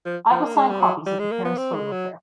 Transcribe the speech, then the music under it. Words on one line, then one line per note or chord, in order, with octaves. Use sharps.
I will sign copies at the Paris Photo fair.
F3
F3
A#3
G#3
G3
F#3
G3
G#3
A#3
B3
C4
G#3
F#3